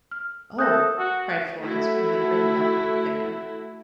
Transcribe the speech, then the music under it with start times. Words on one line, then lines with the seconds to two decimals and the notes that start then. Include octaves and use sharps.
"Oh!" cried Florence, who had ridden up with the vicar.
0.11 F6
0.59 A4 A#4 E5 D#6 F#6 G6 A#6
0.98 F#4
1.60 A3 E4 F#4